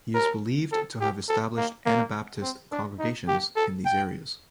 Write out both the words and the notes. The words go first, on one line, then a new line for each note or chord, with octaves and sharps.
He is believed to have established Anabaptist congregations in these areas.
A#4
A4
G4
A4
A#3
A#3
C4
D4
D#4
G4
A4
G5